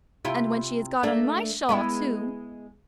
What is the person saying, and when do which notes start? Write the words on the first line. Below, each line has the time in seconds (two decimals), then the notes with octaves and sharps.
And when she has got on my shawl, too!
0.25 C3 E4 F4
1.03 A3 A#3 D4
1.69 G#3 B3 E4